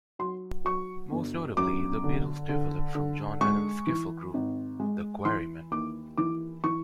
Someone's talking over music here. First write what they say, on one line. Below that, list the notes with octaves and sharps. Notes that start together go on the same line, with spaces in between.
Most notably, the Beatles developed from John Lennon's skiffle group the Quarrymen.
F#3 C6
F#3 C#6
G1
F#2 D6
D3
D3
D3
G#3 C#6
E3
G#1
G#3
E3 C6
D#2 D6
E3 D6
E3 C#6